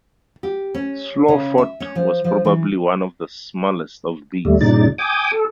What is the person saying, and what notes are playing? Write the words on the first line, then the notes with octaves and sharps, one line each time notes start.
Slough Fort was probably one of the smallest of these.
G4
C#4
C#3
E5
C#4
F3
F3
E3
D#2 G3 A3
G2 A#2 C#3 D#4 D5 A6
G5 G#5 D6 D#6
A4